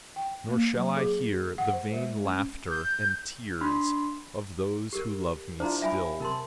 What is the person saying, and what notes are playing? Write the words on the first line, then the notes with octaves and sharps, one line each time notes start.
Nor shall I hear the vain Laughter and tears of those who love me still.
G5
A#3
F#3
G#4
F#5
C5
G#3
C#4
G6
D4 B5 C6
G4 A#4
D4 E4 F4 C5 A#5
E5 G#5 B5
C3 A#4 A5 C6